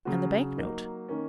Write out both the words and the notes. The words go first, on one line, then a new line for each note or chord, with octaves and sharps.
"And the bank-note?"
C#3 F#3 C#4 F#4
F#3 A#3 D#4
D#3 A#3 C#4